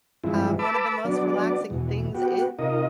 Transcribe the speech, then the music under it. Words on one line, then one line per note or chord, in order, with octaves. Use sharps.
Um, one of the most relaxing things, e
G2 E3 F3 G#3 C4 E4
B4 A5 B5 D6 E6
F#3 B3 D4 D5
E2 B2
B3 F#4 G4
C3 D#4 F4 A#4 D#5